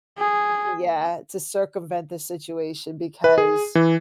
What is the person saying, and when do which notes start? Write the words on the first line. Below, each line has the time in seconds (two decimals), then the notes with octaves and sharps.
yeah, to circumvent the situation because
0.19 G#4
3.24 B4
3.38 G#4
3.75 E3